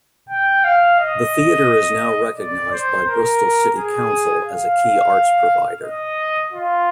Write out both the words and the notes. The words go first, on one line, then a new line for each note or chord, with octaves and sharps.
The theatre is now recognised by Bristol City Council as a key arts provider.
G5
F5
D#5
D5
C5
A#4
G#4
F5
D#5
F4